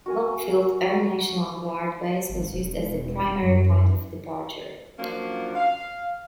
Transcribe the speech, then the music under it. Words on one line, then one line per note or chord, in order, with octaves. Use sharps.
Volk Field Air National Guard Base was used as the primary point of departure.
F#4 A#4 G#5
G#1
E1
F#2
F3 F#3 A#3 C#4 D4 F4
F5